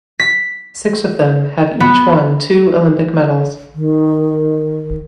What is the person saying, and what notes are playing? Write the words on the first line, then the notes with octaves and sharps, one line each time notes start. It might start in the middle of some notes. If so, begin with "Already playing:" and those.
Six of them have each won two Olympic medals.
B6
B3
D#3